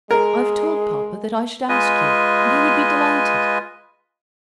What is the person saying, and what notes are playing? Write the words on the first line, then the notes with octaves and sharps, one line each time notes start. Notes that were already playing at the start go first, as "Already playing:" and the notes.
I have told Papa that I should ask you, and he would be delighted.
G#3 G#4 A#4
G#3 F4 B4 D#5 G#5